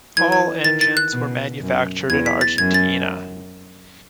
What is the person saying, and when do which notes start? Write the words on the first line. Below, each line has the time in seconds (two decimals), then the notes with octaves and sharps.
All engines were manufactured in Argentina.
0.17 E3 G#6
0.32 G#6
0.64 D#3 A6
0.81 A6
0.97 F#6
1.13 B2
1.62 F#2
2.09 E2 G#6
2.26 B6
2.41 A6
2.58 F#2 G#6
2.74 A6